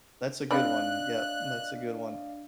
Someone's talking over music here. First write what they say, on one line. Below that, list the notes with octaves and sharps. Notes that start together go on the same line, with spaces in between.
that's a good one, yup, that's a good one.
D3 C4 D4 B4 D5 D#5 F5 F#6